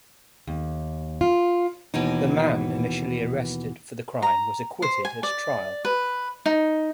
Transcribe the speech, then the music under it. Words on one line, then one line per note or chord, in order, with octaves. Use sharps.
The man initially arrested for the crime was acquitted at trial.
D#2
F4
D#2 B2 E3 D#4
A#5
C5
G#5
D5
B4
D#4